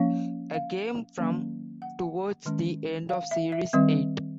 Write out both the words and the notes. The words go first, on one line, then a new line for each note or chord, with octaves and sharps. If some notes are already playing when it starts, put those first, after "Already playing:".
A game from towards the end of Series Eight.
Already playing: F3 A#3 C#4 F5
F5
D#3 F#3 A#3 C#4
F#5
F#5
D#3 G#3 C#4
F5
E5
E5
D#3 G3 C4 E5